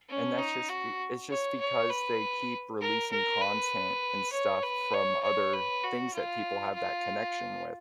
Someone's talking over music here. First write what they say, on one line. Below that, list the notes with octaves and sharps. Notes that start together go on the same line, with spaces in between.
and that's, just, be it's, just, because they keep releasing content and stuff from other things that people have that connection with.
C#4
D#4
F#4
C#5
C#5
B4
A#4
A#4
B4
C#5
B4
C#5
C#5
B4
F#4
F4
F4